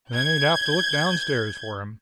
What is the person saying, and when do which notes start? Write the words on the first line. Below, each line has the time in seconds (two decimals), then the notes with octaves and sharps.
Then he'd have to look downstairs for him.
0.12 G6 G#6